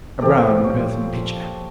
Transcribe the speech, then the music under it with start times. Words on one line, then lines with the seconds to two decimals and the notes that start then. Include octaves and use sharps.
A brown earthen pitcher!
0.21 E3 C4 G4 A4
0.64 A#2 F3 C#5